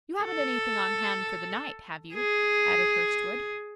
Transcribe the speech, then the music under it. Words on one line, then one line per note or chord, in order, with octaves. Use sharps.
"You haven't anything on hand for the night, have you?" added Hurstwood.
A4
G#4